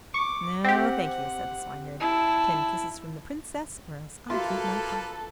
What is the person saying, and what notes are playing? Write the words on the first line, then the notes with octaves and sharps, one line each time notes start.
'No, thank you,' said the Swineherd. 'Ten kisses from the Princess, or else I keep my pot.'
C#6 D6
C4 G4 F#5
E4 A5
A#3 F4 F#4 A4 B4 E5 F5